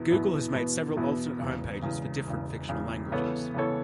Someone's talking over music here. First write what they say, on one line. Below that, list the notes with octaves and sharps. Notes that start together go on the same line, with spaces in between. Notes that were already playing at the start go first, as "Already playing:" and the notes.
Google has made several alternate homepages for different fictional languages.
Already playing: E2 B2 B3 E4
E2 B2 B3 E4
E2 B2 B3 E4
E2 B2 B3 E4
E1 E2 C#3
E1 E2 C#3
E1 E2 C#3
E1 E2 C#3
C#3 E3 B3 A4 C#5
C#3 E3 B3 A4 C#5